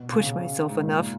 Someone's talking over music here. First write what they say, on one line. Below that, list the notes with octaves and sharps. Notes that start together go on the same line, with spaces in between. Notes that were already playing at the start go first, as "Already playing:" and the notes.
push myself enough.
Already playing: B2
C#3
C#3
G#2
A#2